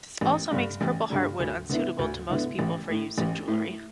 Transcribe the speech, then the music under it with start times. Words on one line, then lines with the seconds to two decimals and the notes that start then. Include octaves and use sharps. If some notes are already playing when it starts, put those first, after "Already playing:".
This also makes purpleheart wood unsuitable to most people for use in jewelry.
0.21 A1
0.51 G2 D3 G3
0.81 A1
1.10 G2 D3 G3
1.40 D2
1.70 D3 B3 E4
1.99 D2
2.29 D3 B3 E4
2.59 A1
2.88 A2 A3
3.18 A1
3.48 A2 A3